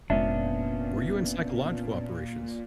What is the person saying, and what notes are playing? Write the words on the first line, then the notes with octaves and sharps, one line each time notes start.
Were you in psychological operations?
F1 A#2 G#3 B3 C#4 D4 E5